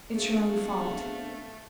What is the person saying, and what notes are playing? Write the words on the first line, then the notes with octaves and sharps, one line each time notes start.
'It's your own fault.
A3 B3 C4 D4 F#4 G#4 F5